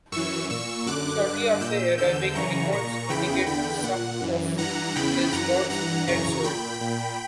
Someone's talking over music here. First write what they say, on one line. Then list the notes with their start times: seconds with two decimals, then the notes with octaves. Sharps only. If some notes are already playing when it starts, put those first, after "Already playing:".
Shortly after arriving, records indicate some of his lots had sold.
0.12 F#2 E3 C#6 E6
0.50 A#2 C#6 E6
0.86 F#2 D3 D6 F#6
1.23 G2 D3
1.61 A#2 E6 G6
1.98 E2 D3 E6 G6
2.35 F#2 C#3 E3 A#5 C#6
2.72 A#2 A#5 C#6
3.09 E2 C#3 E3 G5 B5
3.46 E2 D3 G5 B5
3.83 A#2 F#5
4.21 F#2 E3
4.58 G2 E3 F#5 A#5
4.96 E2 C#3 E3 G5 B5
5.32 F#2 E3 F#5 A#5
5.70 G2 E3 F#5 A#5
6.07 F#2 C#3 E3 A#5 C#6
6.44 A#2 G5 B5
6.81 A#2